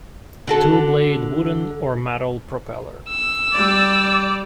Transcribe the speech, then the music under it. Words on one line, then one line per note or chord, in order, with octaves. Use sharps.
Two-blade wooden or metal propeller.
D3 F#4 A4
E6
G3 D5